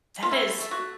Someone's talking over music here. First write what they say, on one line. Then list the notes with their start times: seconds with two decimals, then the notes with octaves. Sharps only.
That is
0.23 F4
0.31 A3 E4
0.58 A3
0.71 F#4